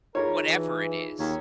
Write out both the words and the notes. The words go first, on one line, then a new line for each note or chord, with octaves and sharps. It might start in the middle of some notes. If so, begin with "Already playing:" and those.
whatever it is.
D#4 F4 G#4 A#4 C#5
E3
D#2 C#5